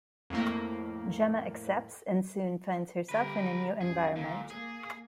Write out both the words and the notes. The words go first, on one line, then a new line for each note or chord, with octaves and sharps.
Gemma accepts and soon finds herself in a new environment.
F2 A2 A#3
D3 G3 A#4 B4
C2 F#2 G#4
A#2 D3
A#3 G#4